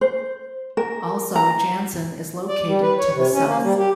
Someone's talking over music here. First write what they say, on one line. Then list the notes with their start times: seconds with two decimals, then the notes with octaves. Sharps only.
Also Janssen is located to the south.
0.01 C5
0.77 A#4
1.36 A#5
2.48 D5
2.66 G3
2.82 B4
2.99 C#5
3.13 C3
3.32 C#4
3.45 A#3
3.62 G3
3.77 G4